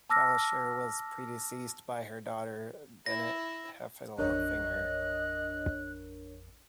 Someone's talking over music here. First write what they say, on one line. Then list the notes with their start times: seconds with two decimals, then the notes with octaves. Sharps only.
Calisher was predeceased by her daughter, Bennet Heffelfinger.
0.10 A5 D6 E6 F6 A#6
3.06 E4 E5 A#6
4.18 A1 F2 D4 A#4 C#5 D#5 F#6